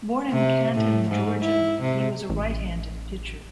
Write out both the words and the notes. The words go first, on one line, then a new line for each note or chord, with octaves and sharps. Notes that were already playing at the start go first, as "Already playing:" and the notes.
Born in Canton, Georgia, he was a right-handed pitcher.
C3
A2
G#2
E4
C3
A1